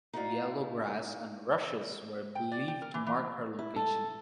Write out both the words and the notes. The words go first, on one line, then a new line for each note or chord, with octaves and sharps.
Yellow grass and rushes were believed to mark her location.
D#4 E4 F#4 D5 F5
G5
D5
G5
A#4
E3
E3
E4
A4